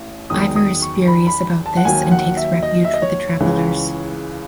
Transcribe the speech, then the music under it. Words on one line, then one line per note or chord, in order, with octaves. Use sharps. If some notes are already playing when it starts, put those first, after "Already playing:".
Iver is furious about this and takes refuge with the travelers.
Already playing: A1
E2 D#3 F#3 D#6
D#6
C#6
B5
B5
A5
F#5
D#2 D#3 F#3 G#5
F#5
E5
D#5
E5
D#5
C#5
C#2 C#3 E3